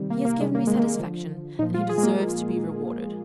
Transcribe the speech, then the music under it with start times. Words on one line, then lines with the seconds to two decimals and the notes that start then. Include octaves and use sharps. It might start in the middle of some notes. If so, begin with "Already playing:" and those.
He has given me satisfaction, and he deserves to be rewarded.'
Already playing: C3 D#3 G3
0.10 A#3
0.25 A#3
0.40 C3 D#3 G3 G#3
0.55 A#3
0.67 G#3
0.79 A#3
0.99 D3 F3
1.59 A#2 F3 D#4
1.74 F4
1.89 G#4
1.98 G#3
2.03 A#3